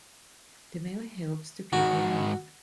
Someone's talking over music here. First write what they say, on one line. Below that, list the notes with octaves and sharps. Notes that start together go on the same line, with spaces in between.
The male helps to feed the young.
G#2 D#3 F#4